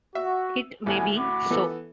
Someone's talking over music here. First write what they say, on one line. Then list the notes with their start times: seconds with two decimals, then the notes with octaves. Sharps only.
It may be so.
0.15 F#4 E5
0.86 A1 D2 B3 G#5
1.18 F#4 B5 D6
1.50 E3 B3 A4